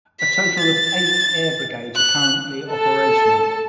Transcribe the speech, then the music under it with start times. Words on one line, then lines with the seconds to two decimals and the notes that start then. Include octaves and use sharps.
A total of eight Air Brigades are currently operational.
0.20 B6
0.60 A6
1.96 F#6
2.70 A4 A5